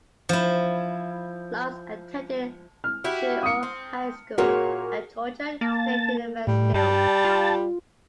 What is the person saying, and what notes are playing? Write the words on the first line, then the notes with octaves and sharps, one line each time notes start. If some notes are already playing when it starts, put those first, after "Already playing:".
Lance attended Shiloh High School and Georgia State University.
F3 E4
F6
E4 F#4 G4
D#6 C#7
C4
A#2 A#3 F#4 G#4 A#4 C#5
A#3 A5
A2 G3
G2 G3 A5
F4